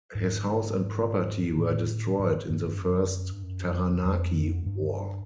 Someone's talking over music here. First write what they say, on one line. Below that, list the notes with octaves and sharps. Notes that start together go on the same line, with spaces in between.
His house and property were destroyed in the First Taranaki War.
G#2
A2
G#2
G2
G2
F#2
G2
F#2
F2
F2
G2